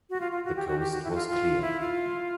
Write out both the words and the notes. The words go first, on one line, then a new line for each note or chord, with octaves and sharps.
The coast was clear.
F#4
F4
F4
F#4
G4
F#4
G4
F#4
E4
F#4
F4
F4
E4
F4